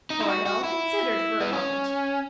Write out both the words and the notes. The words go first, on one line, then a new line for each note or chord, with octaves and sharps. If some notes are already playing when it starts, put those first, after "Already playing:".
Coronel considered for a moment.
D#4
E4
F#4
F#4
E4
B3
C#4